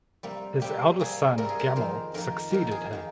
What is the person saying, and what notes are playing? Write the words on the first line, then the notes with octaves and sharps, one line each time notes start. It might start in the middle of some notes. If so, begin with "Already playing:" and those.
His eldest son Gamel succeeded him.
C3 G3 A#3
C3 G3 A#3 G4
C3 G3 A#3 G#4
C3 G3 A#3 A#4
G#4
A#4
F2 D#3 A#3 C5
F2 D#3 A#3 A#4
F2 D#3 A#3 A#4
G#4
D#3 A#3